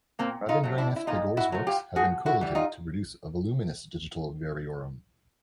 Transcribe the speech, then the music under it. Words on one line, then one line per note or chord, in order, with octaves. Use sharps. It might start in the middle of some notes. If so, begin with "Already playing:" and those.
Rabindranath Tagore's works have been collated to produce a voluminous digital variorum.
A#2 A#3 C4
D#4 F4
F#3 A3
D4 E4
E4
A#2 D#4 F4
E4 F#4
F#3 A3
F4 G4
A2 F#4 G#4
E4 F#4
E3 G3
D#4 F4